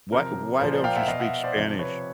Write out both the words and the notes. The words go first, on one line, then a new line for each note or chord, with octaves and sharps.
Why why don't you speak Spanish?
C3 F3 A#4 C5
A#2 F3 A#4 C5
C5 D5
F5 G5
E5 F#5
B2 D#5 F5
E5 F#5
C5 D5
C3 F3
B4 C#5